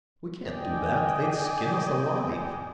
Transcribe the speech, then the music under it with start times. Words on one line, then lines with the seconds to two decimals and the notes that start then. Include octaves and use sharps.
We can't do that, they'd skin us alive.
0.48 D5 D#5 G5 G#5